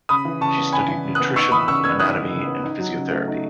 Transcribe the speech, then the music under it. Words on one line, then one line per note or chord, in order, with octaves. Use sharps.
She studied nutrition, anatomy, and physiotherapy.
C#3 B5 D#6
E3
C#3 A5 C#6
B3
C#3 G#5 B5
E3
C#3
B3 D#6 F#6
D#4 C#6 E6
E3 B5 D#6
C#3 C#6 E6
B3 E6 G#6
D#4 D#6 F#6
E3
C#3
B3
D#4
F#3
C#3
A3
D#4